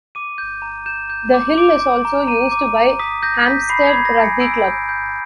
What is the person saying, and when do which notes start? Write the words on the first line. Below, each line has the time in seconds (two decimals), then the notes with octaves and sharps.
The Hill is also used by Hampstead Rugby Club.
0.15 D6 D#7
0.38 G6
0.62 A#5
0.86 G6 E7
1.10 G6
1.34 D6
1.58 D6 D7
1.80 D6
2.05 A#5
2.27 A#5 D#7
2.51 D6
2.76 A#5
2.99 D#6 B6
3.23 G6 A#6
3.46 G6 B6
3.69 B5 C7
3.87 G#6
3.93 B5
4.05 A#6
4.18 G#5
4.24 C#7
4.40 E6 D7
4.64 G6
4.89 G6